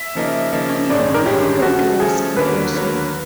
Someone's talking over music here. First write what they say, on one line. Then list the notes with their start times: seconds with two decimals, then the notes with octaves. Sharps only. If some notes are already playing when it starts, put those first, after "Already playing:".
I need one hundred dollars per person.
Already playing: E5
0.15 C#3 F3 A#3 D#4
0.53 C#3 F3 A#3 D#4
0.89 A1 G2 D#3 G#3 C#4 D5
1.14 A#4
1.26 A1 G2 D#3 G#3 C#4 G4
1.62 C#3 F3 A3 F#4
2.00 C#3 F3 A3 G#4
2.37 D#2 D3 F#3 A#3 B4
2.74 D#2 D3 F#3 A#3